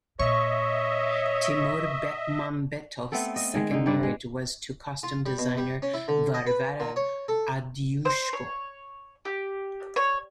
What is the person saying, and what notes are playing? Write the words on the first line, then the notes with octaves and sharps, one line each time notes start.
Timur Bekmambetov's second marriage was to costume designer Varvara Avdyushko.
A#2 C#5 D#5 E5 C#6
A3 B3 C4 A4
D#5
D#3 G#3
D3 D#4
G2 B4 C5 D5
G#3
F4
G3
B2
G3
C#4
E4
D3
D#5
B4
A#2
C#5
A4
C5
C#5
G4
C#5